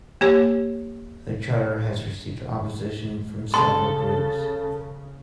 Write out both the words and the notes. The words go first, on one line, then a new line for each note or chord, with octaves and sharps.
The Charter has received opposition from several groups.
A#3 G4 C#5
C#3 A4 C6